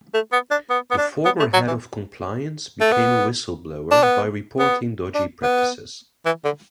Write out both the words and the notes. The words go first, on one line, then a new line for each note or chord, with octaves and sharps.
The former head of compliance became a whistle blower by reporting dodgy practices.
A3
B3
D4
B3
B3
D4
B3
A3
F#3
E3
A3
B3
D4
B3
B3
D4
B3
E3
D3